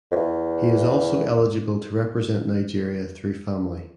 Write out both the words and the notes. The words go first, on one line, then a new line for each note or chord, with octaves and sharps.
He is also eligible to represent Nigeria through family.
F2
E2